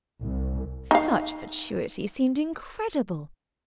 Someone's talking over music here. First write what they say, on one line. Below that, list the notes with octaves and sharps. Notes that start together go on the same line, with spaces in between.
Such fatuity seemed incredible.
C2
D#4 F5